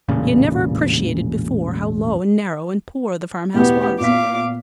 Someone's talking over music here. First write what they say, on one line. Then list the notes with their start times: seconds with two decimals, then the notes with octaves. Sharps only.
He had never appreciated before how low and narrow and poor the farm-house was.
0.08 E1 A1 A#2 C#3
3.54 A1 E2 B2 B3 G4
4.00 A#2 B3 F5 D6 B6